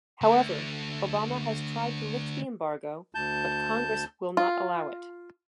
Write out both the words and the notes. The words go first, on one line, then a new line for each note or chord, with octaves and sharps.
However, Obama has tried to lift the embargo, but congress will not allow it.
D3 A3
D2 A5 G6
F4